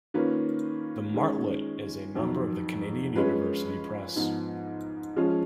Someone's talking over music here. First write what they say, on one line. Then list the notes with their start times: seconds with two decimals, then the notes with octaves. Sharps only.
The Martlet is a member of the Canadian University Press.
0.14 D#3 A#3 C#4 F4 B4
1.14 D#3 G#3 C#4
2.15 F2 D#3 F#3
3.16 G#3 C#4 F4 B4
4.16 G#2 F3 B3 D#4
5.16 F3 G#3 C#4 F4